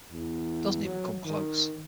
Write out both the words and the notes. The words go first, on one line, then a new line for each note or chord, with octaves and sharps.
Doesn't even come close...
E2
F#3
D#3